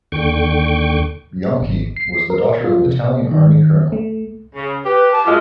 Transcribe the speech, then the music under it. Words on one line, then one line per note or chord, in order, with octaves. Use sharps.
Bianchi was the daughter of an Italian Army colonel.
D#2 D3 G5 C#6
G#1
C7
A#4
F4
C3
D#3
A3
C#3
G4 B4
A5
F#2 G#3 F4